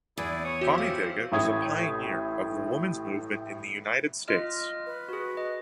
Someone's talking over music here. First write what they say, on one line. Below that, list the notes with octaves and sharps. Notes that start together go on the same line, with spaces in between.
Pommy Vega was a pioneer of the women's movement in the United States.
E2 E4 G#4 D5
C#5 D#6
F#4 G4 E5
A2 F3 F5
A1 A2 E4 D#6 G#6
F4 D#5 F6
B4
F#4 G#4
D#5